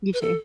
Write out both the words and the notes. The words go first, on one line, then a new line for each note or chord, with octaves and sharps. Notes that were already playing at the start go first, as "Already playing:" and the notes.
You too.
B4
A4